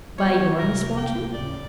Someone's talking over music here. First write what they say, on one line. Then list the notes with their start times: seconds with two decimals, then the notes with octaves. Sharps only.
"By your misfortune?"
0.18 F3 B3 C#5
0.59 F1 C#2 C4 A#4
0.97 G5
1.34 D#2 A2 C#3 D5